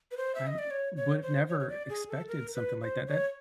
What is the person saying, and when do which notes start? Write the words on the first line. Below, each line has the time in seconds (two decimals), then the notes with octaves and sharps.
I I would’ve never expected something like that that
0.11 B4
0.17 C5
0.35 E5
0.47 D#5
0.58 D5
0.71 C#5
0.97 C#5
1.22 C5
1.49 C#5
1.60 C#5
1.69 D5
1.89 G#4
2.09 A4
2.28 A#4
2.55 B4
2.81 C5
3.07 C#5